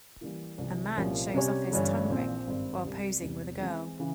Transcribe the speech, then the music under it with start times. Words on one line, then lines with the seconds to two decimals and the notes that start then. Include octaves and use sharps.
A man shows off his tongue ring while posing with a girl.
0.21 E3 G3 A#3 E4
0.58 C2 C3 E3
0.96 C2 A#2 F3 A#3 C#4
1.34 C3 G3 C#4 G4 C#5
1.71 G1 G2 E3 G3 C#4
2.09 A#1 A#2 F3 C4
2.47 G#1 G2 G3 C4
2.85 C2 C3 G3
3.22 E2 C3 G3
3.60 E3 G#3 C4
3.99 C#3 E3